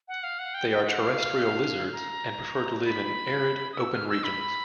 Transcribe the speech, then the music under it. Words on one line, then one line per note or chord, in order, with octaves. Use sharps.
They are terrestrial lizards and prefer to live in arid, open regions.
F#5
F5
F#5
G5
G5
F#5
F5
A#5
B5
D#6
E6
F6
E6
B5